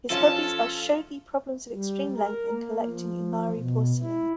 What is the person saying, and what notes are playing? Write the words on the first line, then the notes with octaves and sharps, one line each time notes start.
His hobbies are shogi problems of extreme length and collecting Imari porcelain.
F3 C#4 F4 A4
G3
A#4
A#3
F3
B2
E4